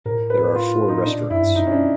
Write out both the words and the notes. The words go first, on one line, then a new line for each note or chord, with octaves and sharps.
There are four restaurants.
A2 A#4
B4
F4
D#4
A#2 D4
F#2 E4
G2
F#2 D#4
C#4
D4